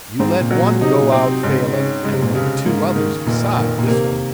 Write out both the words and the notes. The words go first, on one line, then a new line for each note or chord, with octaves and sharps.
"You let one go out, Phelan, and there were two others beside this one."
G#2 C4
A#2
F#3
A#2
C3 D#4
A#2
C4
C3
G#2 C#3
C#4
C#3 G#3
C3
A#2
C3
C#3
G#2 A#3
D#3
F1 A#2
D#3
A#2
C3 A#3